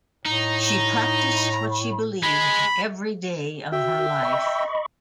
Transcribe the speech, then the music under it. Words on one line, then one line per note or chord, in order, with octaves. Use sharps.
She practised what she believed every day of her life.
A2 D#4 A#5
G#3 B5
F#4 E5 G5
D#5 B5 C#6